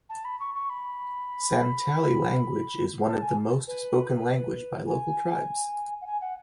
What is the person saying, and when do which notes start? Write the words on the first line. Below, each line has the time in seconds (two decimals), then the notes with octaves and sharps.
Santali language is one of the most spoken language by local tribes.
0.10 A5
0.25 B5
0.40 C#6
0.55 C#6
0.70 B5
3.08 A5
3.22 G#5
3.68 B4
4.87 G#5
6.01 F#5
6.07 G#5
6.21 F#5